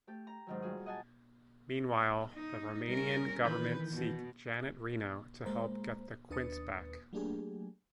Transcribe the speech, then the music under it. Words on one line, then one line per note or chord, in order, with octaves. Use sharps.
Meanwhile, the Romanian government seek Janet Reno to help get the quints back.
A3 G4 A4
A#5
G#2 D#3 F#3
G3 F4 F#4 G#4
D#5 F#5 G#5 A5
D#4
G3 C#4 A#4
D#3 E3 B4 G6
B2
G#3 A#3 C5 A#5
D#2 D4 B4 D#6 A6 C#7
F#3 A3 A#3 D4 G4 G#4